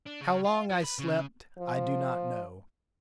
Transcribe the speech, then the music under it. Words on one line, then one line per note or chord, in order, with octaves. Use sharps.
How long I slept I do not know.
D4
C#3
F4
F3
B4
C#3
F3